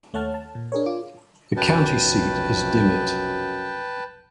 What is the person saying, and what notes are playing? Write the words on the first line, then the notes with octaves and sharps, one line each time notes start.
The county seat is Dimmitt.
D#2 A3 C#5 F#5 A5 F6
A5
A#2
D4 G#4 A#4 C#5
F4 D6
F1 B1 F#2 B4 G5 A5